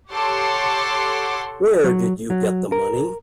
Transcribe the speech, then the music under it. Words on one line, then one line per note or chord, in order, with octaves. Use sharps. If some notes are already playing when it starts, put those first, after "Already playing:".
Where did you get the money?
G4 A4 C#5 F#5 C6 D6
F#3
F#3
A#4